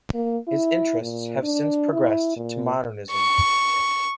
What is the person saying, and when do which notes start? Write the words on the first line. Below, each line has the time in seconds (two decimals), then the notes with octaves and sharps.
His interests have since progressed to modernism.
0.14 A#3
0.48 E4
1.01 A#2
1.43 D4
1.93 E4
2.36 A#2
3.11 C#6